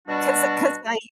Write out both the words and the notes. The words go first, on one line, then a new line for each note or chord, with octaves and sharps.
'Cause I 'cause I,
B2 G3 D4 F#4